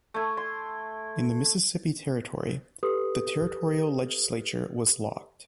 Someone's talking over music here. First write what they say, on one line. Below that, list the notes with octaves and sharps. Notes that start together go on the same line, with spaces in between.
In the Mississippi Territory, the territorial legislature was locked.
A3 E4
C6
G4 A4 B4 D#6